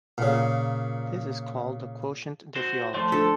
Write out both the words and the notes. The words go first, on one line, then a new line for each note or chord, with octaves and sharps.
This is called the quotient diffeology.
A#2 C#3
F#4 C5
F3 A3 C5
D4 A4